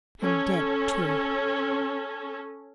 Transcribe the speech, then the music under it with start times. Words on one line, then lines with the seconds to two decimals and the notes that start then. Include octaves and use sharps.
And dead too.
0.22 C#4 A4